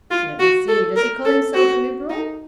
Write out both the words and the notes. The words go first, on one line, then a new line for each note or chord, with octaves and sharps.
"Let me see, does he call himself a Liberal?"
F4
F#4
A4
A#4
A4
F#4
D#4